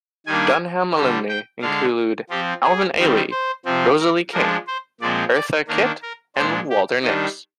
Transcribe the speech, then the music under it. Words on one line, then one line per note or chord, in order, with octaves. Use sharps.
Dunham alumni include Alvin Ailey, Rosalie King, Eartha Kitt and Walter Nicks.
D#3 G3 A#3 D4 G#5
D3 G3 D4
G5
D3 G#3 D4 F5
F3 C4 G4
G#4
D#3 G3 C4
C5
C3 F3 C4
A#4
F3 G#3 D4 A#4
C5
A#2 F3 G#3 C4 D5
D5
D#3 A#3 D4 A#4
A#4
A#2 G#3 D4 C5
G4
D#3 G3 D4 D#5